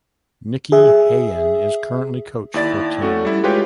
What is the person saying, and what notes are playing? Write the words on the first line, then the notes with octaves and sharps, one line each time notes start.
Nicky Hayen is currently coach for team.
G#4 E5
D#2 E4 D5 A6
A3 C#4 F#4 A4
G3 E4
G#3 F4 G4 B4 C#5 G5